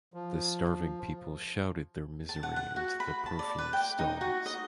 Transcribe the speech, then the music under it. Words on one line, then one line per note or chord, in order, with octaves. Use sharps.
The starving people shouted their misery into the perfumed stalls.
F3
A5
F#5
F#5
F#4
B5
A5
D5
B4
G5
D#4
F#4
D#5